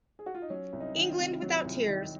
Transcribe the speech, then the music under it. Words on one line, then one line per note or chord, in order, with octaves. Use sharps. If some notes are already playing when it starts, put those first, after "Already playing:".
"England Without Tears".
G#4
F#4
F4
D#4
F#3 C#4
C2
D#4
D#3
F4
C3
F#3
C2
D#3